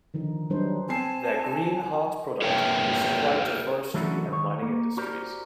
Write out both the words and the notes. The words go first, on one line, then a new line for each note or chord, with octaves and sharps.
Their Green Heart product was supplied to forestry and mining industries.
D3 D#3 F3 D#4
F#3 G3 D4 D#4 B4 C5
C4 G#5 A5 C7
G#4 A#4 B4 C#5 E5 G5
E3 F#3 A3 D4 E4 F#4
D#3 C#5
A#3
F#4 G4 A#4 C5 D5